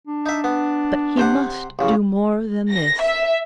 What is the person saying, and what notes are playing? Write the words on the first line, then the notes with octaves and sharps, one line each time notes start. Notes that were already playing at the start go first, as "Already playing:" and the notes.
But he must do more than this.
D4
D#4 E5
B3
C3 C5 F#5
A1 C#3
A#6
E5